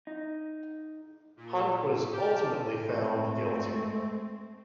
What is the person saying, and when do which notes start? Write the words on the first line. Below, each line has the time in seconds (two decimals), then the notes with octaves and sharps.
Hunt was ultimately found guilty.
0.07 D#4
1.37 A#2
2.13 G4 A5 F6 D7
2.84 G#3 A3 C4